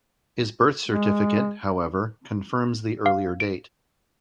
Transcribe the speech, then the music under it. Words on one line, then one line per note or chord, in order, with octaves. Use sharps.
His birth certificate, however, confirms the earlier date.
G#3
F5
D7